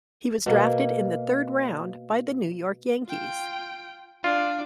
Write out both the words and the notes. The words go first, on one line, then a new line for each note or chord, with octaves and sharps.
He was drafted in the third round by the New York Yankees.
B2 A#3
F4 G5
D4 F4 D5